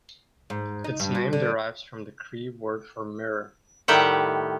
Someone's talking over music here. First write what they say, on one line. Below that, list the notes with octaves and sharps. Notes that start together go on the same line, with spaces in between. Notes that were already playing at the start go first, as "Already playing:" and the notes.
Its name derives from the Cree word for mirror.
G#2
D#4
G2
B2
D3
A2 D#3 G3 G4 E5 F#5